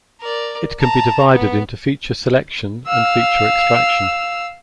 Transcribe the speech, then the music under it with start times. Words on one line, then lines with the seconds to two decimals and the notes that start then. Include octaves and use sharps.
It can be divided into feature selection and feature extraction.
0.20 A#4 D5
0.79 A5 A#5
1.32 B3
2.87 F5 E6